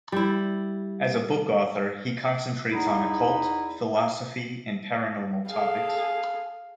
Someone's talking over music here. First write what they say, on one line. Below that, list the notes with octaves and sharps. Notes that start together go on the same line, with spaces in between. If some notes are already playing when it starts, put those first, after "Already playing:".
As a book author he concentrates on occult, philosophy and paranormal topics.
G3 E4
E2 D#4 E4
G#4 A4 F5